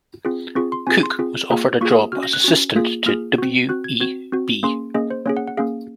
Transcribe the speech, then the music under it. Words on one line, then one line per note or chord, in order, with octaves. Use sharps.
Cooke was offered a job as assistant to W. E. B.
C4 F4 G#4
C4 F4 G#4 C#6
C6
C4 F4 G#4 G#5
C6
C4 F4 G#4
A#3 F4 G#4
A#3 F4 G#4 C#6
D#6
C#4 F#4 F6
A#6
F#6
C#4 F#4
A#3 F4 G#4
A#3 F4 G#4 F6
C4 F#4
C4 F#4 F#6
G#6
C4 F#4 G#6
C4 F#4
A#3 C#4 G#4 C6
A#3 C#4 G#4 D#5
C5
A#3 C#4 G#4 C#5
F#5
F#5
A#3 C#4 G#4 F5